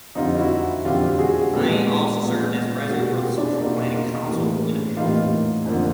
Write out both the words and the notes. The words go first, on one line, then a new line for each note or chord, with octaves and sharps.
She also served as president for the Social Planning council of Winnipeg.
F2 D3 G3 D#4 F4
E4 F#4
F2 D3 G3 F4 G4
F#4 G#4
A#2 F3 G#3 B3 G4 A4
A#2 F3 G#3 B3
B2 G3 A#3 F#4 G#4
F4 G4
D4 E4
B2 G3 A#3 D#4 F4
D#4 F4
A2 E3 G3 A#3
A2 E3 G3 A#3 D#4 F4
F2 D3 F3 A#3